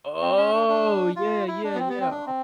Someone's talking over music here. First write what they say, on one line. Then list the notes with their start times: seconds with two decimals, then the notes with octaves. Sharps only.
Oh! Yeah, yeah, yeah, uh
0.21 C4
0.37 C#4
0.53 D4
0.69 D4
1.16 F4
1.48 E4
1.64 D4
1.74 B3
1.79 C4
1.89 B3
2.00 C4
2.11 D4
2.27 C4